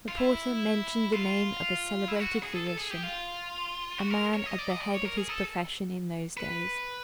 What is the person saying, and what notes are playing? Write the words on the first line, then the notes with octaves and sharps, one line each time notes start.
The porter mentioned the name of a celebrated physician--a man at the head of his profession in those days.
F4
E4
F4
E4
F#4
G#4
A4
A4
G#4
G4
F4
F#4
A#4
C#5
D#5
D5
D#5
D5
C#5
A#4
G#4
A4
B4